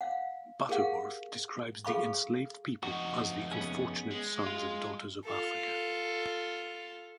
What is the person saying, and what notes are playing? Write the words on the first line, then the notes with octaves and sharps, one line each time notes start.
Butterworth describes the enslaved people as "the unfortunate sons and daughters of Africa".
F5 F#5
G4 G#4 A#4 F5 F#5
G#4 A4 F5 B5 C#6
F2 D#4 F#4
B3 C#4 G#4
G#3
F4
F4 A4